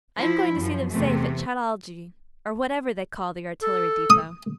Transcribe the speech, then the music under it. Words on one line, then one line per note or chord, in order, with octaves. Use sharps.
I am going to see them safe at Chataldja, or whatever they call the artillery depot.'
F3 E4
F#2 F3
E2 C3 A3
A4
D#6